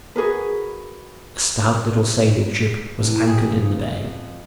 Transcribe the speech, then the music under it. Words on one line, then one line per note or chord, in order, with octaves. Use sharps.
A stout little sailing-ship was anchored in the bay.
F#4 G#4 A#4 B4
A2 C3 E3
F#2 G#4 G5
C#3 F3 A3
F2